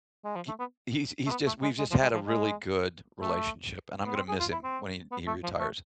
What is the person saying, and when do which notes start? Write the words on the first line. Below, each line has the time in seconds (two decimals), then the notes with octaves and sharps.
He he's he's just we've just had a really good relationship, and I'm gonna miss him when he he retires.
0.24 G#3
0.36 F3
0.48 A3
0.59 B3
1.26 A3
1.31 B3
1.47 A3
1.62 G#3
1.78 G#3
1.91 F3
2.02 G#3
2.14 F3
2.26 G#3
3.21 A3
4.05 B3
4.16 C4
4.28 G#4
4.40 F4
4.52 E4
4.64 C4
5.12 B3
5.27 A3
5.43 F3
5.60 A3